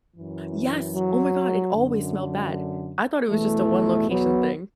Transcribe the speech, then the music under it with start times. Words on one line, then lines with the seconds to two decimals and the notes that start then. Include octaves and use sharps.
Yes, oh, my god, it always smelled bad. I thought it was just a one location thing,
0.16 F#2 E3
0.94 F#3
1.73 F#2 D3
3.30 E2 B2 E3 A3
4.09 F#3 B3